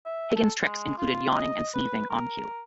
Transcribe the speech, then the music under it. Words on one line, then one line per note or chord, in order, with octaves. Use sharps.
Higgins's tricks included yawning and sneezing on cue.
E5
A4
G#3
F4
D#5
B4
A#4